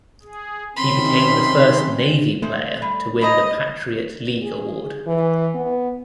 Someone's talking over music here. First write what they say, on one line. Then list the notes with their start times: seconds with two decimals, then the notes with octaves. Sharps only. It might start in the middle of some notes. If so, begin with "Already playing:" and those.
He became the first Navy player to win the Patriot League award.
0.22 G#4
0.76 C3 D#3 F#3 C4 C#4 B5 C6
2.42 G#3 A3 C5
2.82 G3
3.21 E4 C5 D#5 A#5
4.42 G#4
5.07 E3
5.55 B3